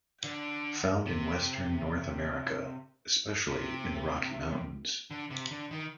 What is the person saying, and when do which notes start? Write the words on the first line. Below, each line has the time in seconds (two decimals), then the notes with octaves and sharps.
Found in western North America, especially in the Rocky Mountains.
0.24 D3
1.06 C3
3.48 C3
5.11 D3
5.30 C3
5.51 D3
5.71 D#3